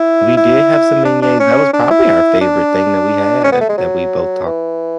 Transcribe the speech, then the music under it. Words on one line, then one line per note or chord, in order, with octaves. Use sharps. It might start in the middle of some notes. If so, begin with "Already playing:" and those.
We did have some beignets, that was probably our favorite thing that we had, that we both talk
Already playing: E4
E4
D4
D4
C#4
D4
E4
D4
C#4
B3
A3
G#3
F#3
E3